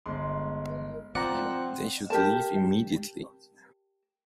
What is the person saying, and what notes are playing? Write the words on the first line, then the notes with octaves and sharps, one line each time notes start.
They should leave immediately.
G1 G#3 C6
F3 C4 D5 F#5 A#5
G4 A#4 A5